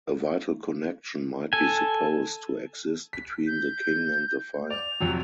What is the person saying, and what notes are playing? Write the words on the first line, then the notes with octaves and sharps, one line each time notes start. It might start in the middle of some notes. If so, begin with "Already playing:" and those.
A vital connection might be supposed to exist between the king and the fire.
A4 G#5
B6
G6
D5 F7
F2 C3 F#3